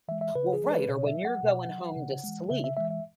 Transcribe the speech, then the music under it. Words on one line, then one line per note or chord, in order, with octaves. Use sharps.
Well, right, or when you're going home to sleep,
E3 G#3 E5
E5
C#3 B4
G#4
E3 G#3
B4
B2 C#5
E5
F#3
F#5
B2
F#3
C#3
E3 G#3
C#3 E5
E5
E3 G#3 E5
E5